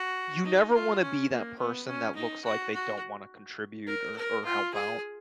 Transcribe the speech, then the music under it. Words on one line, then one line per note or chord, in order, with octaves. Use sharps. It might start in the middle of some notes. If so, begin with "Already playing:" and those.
you never wanna be that person that looks like they don't wanna contribute or or help out
Already playing: F#4
D#4
F4
C#4
A#3
B3
C#4
D#4
F#4
F#4
A#4
A#4
F4
G#4